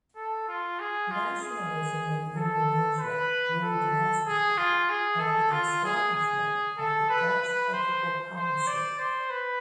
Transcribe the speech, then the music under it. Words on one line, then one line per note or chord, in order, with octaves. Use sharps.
Nationalism in Indonesia grew drastically after the establishment of the Dutch Ethical Policy.
A4
F4
G#4
F4
G#4
A4
B4
A4
G#4
F4
G#4
A4
F4
G#4
G#4
A4
B4
B4
C5
C5
D5
C5
B4